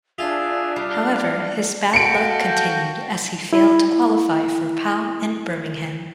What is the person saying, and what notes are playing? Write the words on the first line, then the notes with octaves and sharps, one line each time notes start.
However, his bad luck continued as he failed to qualify for Pau and Birmingham.
D4 F4 G#4 E5
G3 F5
F#4 A4 F5 G5 A5 C#7 D7
E4 B5